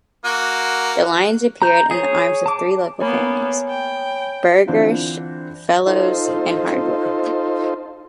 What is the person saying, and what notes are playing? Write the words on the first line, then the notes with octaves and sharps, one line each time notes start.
The lions appeared in the arms of three local families: Burgersh, Fellowes and Hardwick.
A#3 F#4
A#5 G6
G#4 C#5
A5 D6
A#3 B3 C#5 G#5 B5
G5
D3 E3 C4 D4 F4
D#4 F4 A4 C5